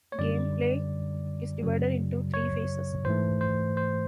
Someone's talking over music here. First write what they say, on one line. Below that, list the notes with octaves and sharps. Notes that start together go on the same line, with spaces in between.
Gameplay is divided into three phases.
C#5
F#2 D3 G3 D5
F#2 C#3 F#3
C#5
G#2 E3 A3 C5
C5
C5